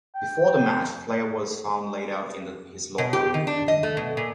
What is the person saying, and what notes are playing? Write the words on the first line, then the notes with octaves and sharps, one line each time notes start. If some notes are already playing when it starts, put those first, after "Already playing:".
Before the match, Flair was found laid out in his locker room.
G5
B2
G4
D#3
D4
D#5
A3
B2
A#2